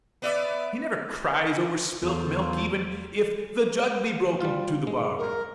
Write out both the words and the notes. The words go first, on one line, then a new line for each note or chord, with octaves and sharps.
He never cries over spilt milk, even if the jug be broken to the bargain.
B3 D5 E5
E2 F4 A4 C5
G3 F4
G#3
A#4